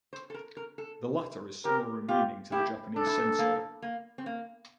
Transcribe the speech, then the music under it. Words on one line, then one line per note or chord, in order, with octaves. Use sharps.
The latter is similar in meaning to the Japanese "sensei".
C5
A4
A#4
A#4
A4
G4 A#4
F4 G4
E4 G4
D4 A4
E4
D4
A#3
A#3
C4
A#3